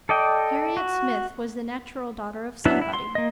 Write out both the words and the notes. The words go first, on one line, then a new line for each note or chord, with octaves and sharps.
Harriet Smith was the natural daughter of somebody.
A4 D5 D#5 G5
F#4
F#3 B3 D4 E4 E5
E4
C6
A#3 D#5